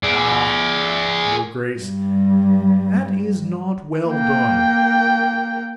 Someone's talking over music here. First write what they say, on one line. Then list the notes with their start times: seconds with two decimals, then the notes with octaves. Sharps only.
"Ah, your grace, that is not well done."
0.03 G#4 D5
1.80 G2 G3
4.09 A#3 G5